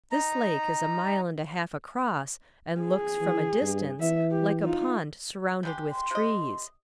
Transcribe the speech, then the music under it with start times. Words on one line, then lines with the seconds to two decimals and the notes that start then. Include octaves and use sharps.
This lake is a mile and a half across and looks, from a distance, like a pond surrounded with trees.
0.12 D#4 A#5
2.81 G#4
3.21 E3
3.61 G2
4.00 E3 E5
4.31 G4
4.64 D#4 F4
5.63 G3 G#3 G4
5.92 C6
6.11 C3 D#5